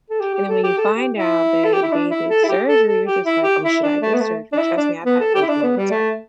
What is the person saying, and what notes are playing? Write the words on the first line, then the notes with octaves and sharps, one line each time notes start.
And then, when you find out that they did surgery, you're just like, "Oh, should I get surgery?" Trust me, I've had those moments, like,
A4
G4
G4
A4
G4
A4
G4
E4
A4
G4
E4
D4
E4
A4
E4
G4
A4
A4
G4
E4
G4
E4
D4
A3
B3
A3
D4
E4
D4
B3
A4
G4
E4
D4
B3
G3
A3